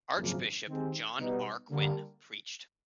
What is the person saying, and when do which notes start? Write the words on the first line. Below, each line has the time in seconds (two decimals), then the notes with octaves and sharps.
Archbishop John R. Quinn preached.
0.16 G#1 F#2 C#3 F3 A#3
0.67 D#3 G#3 C4 D#4 G4
1.18 B2 G3 B3 D#4
1.70 D3 G3 A#3